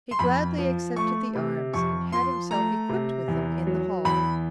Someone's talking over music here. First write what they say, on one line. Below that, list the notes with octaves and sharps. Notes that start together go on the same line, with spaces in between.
He gladly accepted the arms and had himself equipped with them in the hall.
C6
F2 B5
F3
A3 C#6
C3
F2 C#6
F3 C6
A3 A#5
C3
E2
F#3
E2 B5